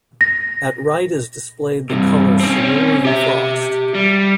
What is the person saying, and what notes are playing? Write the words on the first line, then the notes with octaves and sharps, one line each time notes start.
At right is displayed the colour cerulean frost.
A#6
G2 C3
C4 C#4
G4 E5
G3